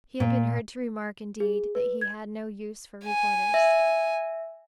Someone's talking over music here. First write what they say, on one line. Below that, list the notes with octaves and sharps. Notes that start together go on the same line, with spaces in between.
He had been heard to remark, indeed, that he had no use for reporters.
A#2
G#4
B4
G#6
G#5
E5